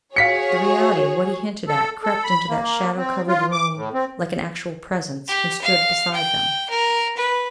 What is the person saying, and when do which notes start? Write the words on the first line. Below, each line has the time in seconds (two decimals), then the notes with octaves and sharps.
The reality of what he hinted at crept into that shadow-covered room like an actual Presence and stood beside them.
0.16 F#4 G#4 C#5 F5 B6 C#7
1.68 A4
2.04 A4
2.24 B5
2.49 A#3
2.97 C4
3.27 F4
3.52 D6
3.75 A2
3.93 C4
5.28 G4
5.62 F5
6.14 G5
6.70 A#4
7.17 B4